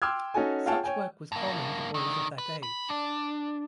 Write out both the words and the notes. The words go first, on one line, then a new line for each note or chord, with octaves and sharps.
Such work was common to boys of that age.
G5 C6 D6 E6 F6 G#6
C#4 D#4 F#4 A4 G#5
F4 G#4 C#5 F#5 G5 A5
C#5 G5 G#5
G2 A#3
D3 D#3
B4
B5
D4